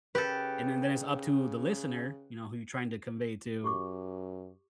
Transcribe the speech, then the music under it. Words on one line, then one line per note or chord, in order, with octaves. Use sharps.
and then then it's up to the listener, you know, who you're trying to convey to.
C#3 G4 A4 B4
F#2 G4 C#6 D6